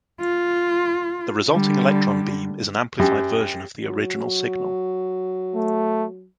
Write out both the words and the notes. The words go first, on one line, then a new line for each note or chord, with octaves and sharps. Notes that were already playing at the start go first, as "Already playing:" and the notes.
The resulting electron beam is an amplified version of the original signal.
F4
D3 G3
F#2 G4
F#3
A3